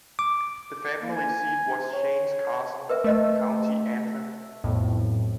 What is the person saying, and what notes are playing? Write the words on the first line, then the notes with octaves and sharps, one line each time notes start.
The family seat was Shane's Castle, County Antrim.
D6
A#3
G#5
C#5
A#4 B4 E5
A3 A#4 D#5 E6
B1 F2 A2